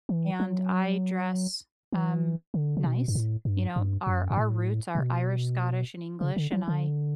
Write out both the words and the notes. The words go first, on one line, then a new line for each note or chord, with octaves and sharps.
and I dress, um, nice. You know, our our roots are Irish, Scottish, and English, and I
E3
F#3
E3
D3
C#3
B2
G2
A2
G2
G2
F#2
G2
A2
A2
B2
C#3
D3
F#3
D3